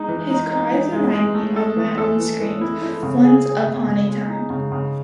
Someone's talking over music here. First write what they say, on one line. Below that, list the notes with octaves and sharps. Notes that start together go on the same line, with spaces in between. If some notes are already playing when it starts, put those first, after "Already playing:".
His cries remind me of my own screams, once upon a time.
Already playing: G#3 D#4
E3
D#4
D#4
E3
G#3
G#3
A3
A4
E3
A4
E3
E3
E4
E4
C#3
G#4
G#4
C#3
C#3
G#3
D#4
C#3
C#3